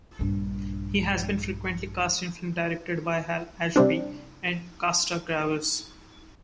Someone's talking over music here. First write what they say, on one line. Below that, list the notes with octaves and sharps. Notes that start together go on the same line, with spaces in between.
He has been frequently cast in films directed by Hal Ashby and Costa-Gavras.
A#1 G2
C3 G3 C4 D4